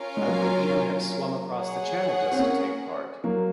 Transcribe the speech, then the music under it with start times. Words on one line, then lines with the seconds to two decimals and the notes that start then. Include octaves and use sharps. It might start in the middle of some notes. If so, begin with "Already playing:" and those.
I would even have swum across the channel just to take part.
Already playing: C#4 F4 A#4 F5 G#5
0.17 G#3
0.28 F#3 A#3
1.55 G#4 C#5 F#5
2.31 C4
2.39 A#3 C#4
3.24 F#3 A#3